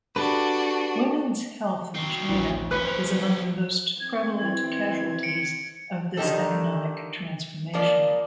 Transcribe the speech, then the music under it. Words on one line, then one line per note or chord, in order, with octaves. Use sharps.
Women's health in China is among the most prevalent casualties of this economic transformation.
D4 F#4 G4 A4 B4
F#3 C4
A1 D2
F2 C#4 B4 F#6
C5 F7
C4 G#6
E3 G#6
C#7 D7
D3 D#3 F3 D#4 G4 A4
F3 G#3 A#3 F4 D5